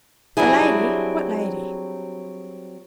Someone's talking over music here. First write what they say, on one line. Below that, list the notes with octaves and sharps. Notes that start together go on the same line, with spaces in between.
"A lady--what lady?"
F#3 G3 C4 D4 E4 G#4